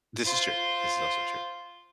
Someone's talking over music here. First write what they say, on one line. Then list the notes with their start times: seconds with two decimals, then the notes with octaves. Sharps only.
This is true, this is also true.
0.24 F4 C5